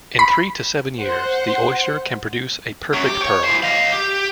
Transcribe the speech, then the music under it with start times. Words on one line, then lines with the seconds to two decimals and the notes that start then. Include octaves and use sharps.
In three to seven years, the oyster can produce a perfect pearl.
0.19 B5
1.00 C5 F#5
2.93 F#2 F#3
3.06 G4
3.22 C#5
3.43 E3 C5
3.63 D#5 F5
3.93 G4